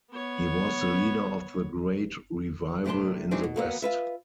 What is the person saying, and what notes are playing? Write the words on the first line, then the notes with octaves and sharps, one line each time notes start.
He was the leader of the Great Revival in the West.
B3 C#5
A2 C3 D4 A5 C6
E3 F#3 G#3 C4 D4 D#4
B2
F#3 A#3 B3
F4 B4 E5